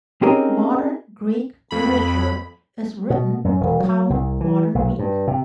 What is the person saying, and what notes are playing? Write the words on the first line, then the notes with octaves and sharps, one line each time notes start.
Modern Greek literature is written in common Modern Greek.
C4 C#4 D#4 G4 G#4 A#4
F2 B5
B2
F#2
E1
F#3
C2
E3
B1
G2
C3